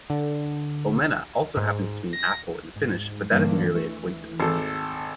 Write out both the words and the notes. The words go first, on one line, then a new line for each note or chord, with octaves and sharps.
"Omena" also happens to mean "apple" in Finnish, but that is merely a coincidence.
D3
G#2
A#6
G#2
D2 G2 E3 A#3
A3
G#1 A4 F5